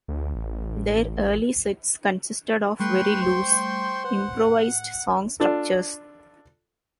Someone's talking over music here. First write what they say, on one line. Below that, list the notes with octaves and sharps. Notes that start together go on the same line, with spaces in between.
Their early sets consisted of very loose, improvised song structures.
D2
A1
G3 A3 B4 G5 C6 C#6
C5
B4 F#5 F#6
A2
D4 F4 A4